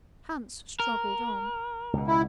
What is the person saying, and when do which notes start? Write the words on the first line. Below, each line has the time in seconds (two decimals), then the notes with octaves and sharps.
Hans struggled on.
0.80 A#4
1.93 C#2 B2
2.07 E4